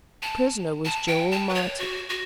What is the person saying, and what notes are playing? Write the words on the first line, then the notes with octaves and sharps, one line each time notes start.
The prisoner was Joel Martin.
A5
A5
G5
A5
B4
C#5
F#4
F#4